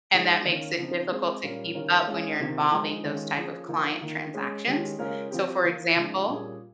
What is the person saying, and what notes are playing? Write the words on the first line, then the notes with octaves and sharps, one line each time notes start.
and that makes it difficult to keep up when you're involving those type of client transactions, so for example,
F3 G#3 D#4 G#4
D#3 A#3 C#4 F4
C#3 F3 C4 D#4
G#3 C4 F4 G#4
A#2 G3 C#4 F4 A#4
D#3 G3 C#4 F4 A#4
G#3 C#4 F4 G#4
C3 D#3 A#3 F4 A#4
F3 G#3 D#4
D#3 G#3 C#4 F4
F3 A#3 C#4 G#4
F3 A#3 D#4 A#4
D#3 A#3 F4 A#4
G#3 C#4 G#4
D#3 G#3 C#4 G4
C#3 G#3 C#4 F4 A#4
F3 C4 G4
F3 A#3 F4
C#3 F3 G#3 D#4
A#2 G3 C#4 G#4